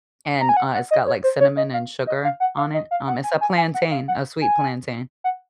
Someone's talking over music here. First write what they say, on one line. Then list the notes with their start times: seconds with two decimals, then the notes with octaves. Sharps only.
and, uh, it's got, like, cinnamon and sugar on it, um it's a plantain, a sweet plantain.
0.41 A#5
0.49 G#5
0.57 F#5
0.74 F#5
0.91 D#5
1.07 C#5
1.24 C5
1.40 C#5
1.57 D#5
1.73 F5
2.07 D#5
2.24 F5
2.40 F#5
2.57 F5
2.74 D#5
2.91 F5
3.07 F#5
3.24 G#5
3.41 G#5
3.57 G#5
3.74 F#5
3.91 F5
4.08 F#5
4.41 G#5
5.24 F#5